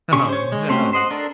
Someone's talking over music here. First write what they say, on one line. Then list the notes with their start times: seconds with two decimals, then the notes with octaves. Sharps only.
Oh, no.
0.13 D3 C#4 G4 C#6
0.29 C5 C#5
0.52 G#3
0.69 A3 C4 C#4 F#4 G4
0.93 C5 D#5 F#5
1.11 D4 A4 A#4